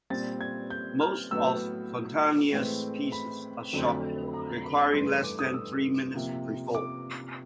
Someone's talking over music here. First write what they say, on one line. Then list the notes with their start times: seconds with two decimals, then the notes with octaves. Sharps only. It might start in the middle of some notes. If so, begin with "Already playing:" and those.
Most of Fontanelli's pieces are short, requiring less than three minutes to perform.
0.10 A#2 G3 C4 A6
0.41 G#6
0.70 G6
1.01 F6
1.31 A2 F#3 B3 E6
2.52 A2 E3 G#3 C4
3.12 B5
3.73 F2 D3 F#3 A3 C4
4.34 A#5
4.63 B5
4.94 G2 E3 A3 C6
5.24 D6
5.39 D#6
5.54 E6
6.14 C3 F3 A#3
6.75 D6